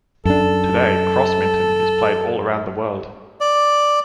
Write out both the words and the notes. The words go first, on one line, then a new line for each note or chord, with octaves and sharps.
Today, Crossminton is played all around the world.
F#2 D4 A4
D5